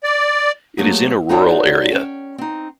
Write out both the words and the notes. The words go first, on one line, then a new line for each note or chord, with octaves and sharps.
It is in a rural area.
D5
F#3 A3 A#3 F4 G4 G#4
D#4 F4 F#4 A4 C#5 D5
C#4 G5
C4 D#4